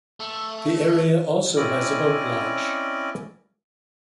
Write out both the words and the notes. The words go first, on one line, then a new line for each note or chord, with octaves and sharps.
The area also has a boat launch.
A3
C4 C#4 E4 D5 D#5